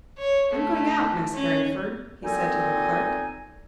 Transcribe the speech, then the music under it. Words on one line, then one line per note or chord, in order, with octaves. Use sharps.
"I am going out, Miss Harringford," he said to the clerk.
C#5
A3
C#4
A#2 C4 D#4 A4 G#5